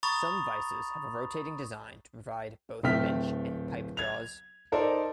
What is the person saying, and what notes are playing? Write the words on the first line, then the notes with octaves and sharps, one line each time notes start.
Some vises have a rotating design to provide both bench and pipe jaws.
A#5 B5 C#6 D#6 A6 F7
D1 A3 C4 G5 F6 B6
G#6 F7
D#4 A4 A#4 C5 D5